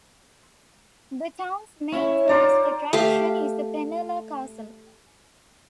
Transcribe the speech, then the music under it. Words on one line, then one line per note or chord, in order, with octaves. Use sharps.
The town's main tourist attraction is the Penela Castle.
C#4 E4 C#5 E5
D#4 F4 C5 D5 A#5
A3 G4 F5